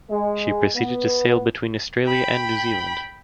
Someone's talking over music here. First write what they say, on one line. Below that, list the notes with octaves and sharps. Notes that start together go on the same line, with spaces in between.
She proceeded to sail between Australia and New Zealand.
G#3
B3
G5 B5